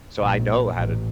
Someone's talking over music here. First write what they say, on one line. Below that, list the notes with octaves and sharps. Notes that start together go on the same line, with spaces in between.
So, I know how to
A#1
A1